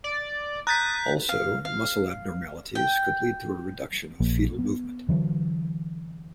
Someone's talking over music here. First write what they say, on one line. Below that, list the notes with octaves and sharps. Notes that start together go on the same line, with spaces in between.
Also muscle abnormalities could lead to a reduction of fetal movement.
D5
A#5 D#6 F#6 G6 A6 B6
F5
F5
G5
A#1 F3 A#3
B3
D3 E3 F#3